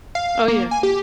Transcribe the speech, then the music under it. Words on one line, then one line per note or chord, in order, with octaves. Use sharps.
Oh, yeah.
F5
A#3
G#5
G4